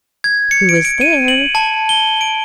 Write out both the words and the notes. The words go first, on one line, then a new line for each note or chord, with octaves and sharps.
"Who is there?"
G#6
C#7
D7
D7
D#7
F#7
A5
G7
D7